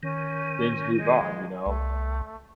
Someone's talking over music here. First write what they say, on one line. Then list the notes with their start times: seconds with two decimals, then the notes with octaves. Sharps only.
Things move on, you know?
0.03 D#3 C#4
0.97 G#3
1.66 C2 A3